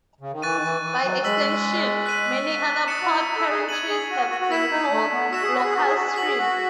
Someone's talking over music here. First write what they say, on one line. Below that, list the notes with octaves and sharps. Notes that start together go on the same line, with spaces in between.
By extension many other pod carrying trees have been called "locust tree".
C#3
D#3
E3 C#6 F#6 A6 D#7
D#3
E3
E3
F#3
G#3 E6 B6 F#7
F#6 B6 D#7 F#7
D#6 A6 C#7 E7
F#4
E4
A4
G#4
G#6 D#7 F#7
G#4
F#4
F#4
F#4
E4 E6 B6 E7
D#4
A3
B3
F#4 E6 B6 E7
G#4
F#4
G#4
F#4
G#4
F#4
G#4
F#4 E6 B6 F#7
G#4
F#4